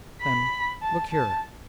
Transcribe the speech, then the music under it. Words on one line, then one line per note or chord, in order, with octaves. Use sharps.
Then, "Look here!"
B5
A5
A5